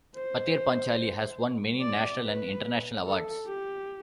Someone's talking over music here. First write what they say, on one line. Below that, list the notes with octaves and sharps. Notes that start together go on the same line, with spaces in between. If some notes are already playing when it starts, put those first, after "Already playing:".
"Pather Panchali" has won many national and international awards.
C5
D5
B4
A4
G4